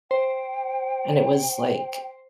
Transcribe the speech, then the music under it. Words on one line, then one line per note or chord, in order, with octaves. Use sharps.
and it was like,
C5 G5